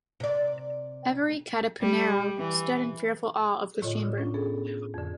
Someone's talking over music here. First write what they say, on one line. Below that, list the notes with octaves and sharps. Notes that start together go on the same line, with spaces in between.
Every "katipunero" stood in fearful awe of this chamber.
C3 D5
G3
E3
A2 D3 F4 C#5 D#5
C#4 D4 F4
B3 G#4 A4
F2 D3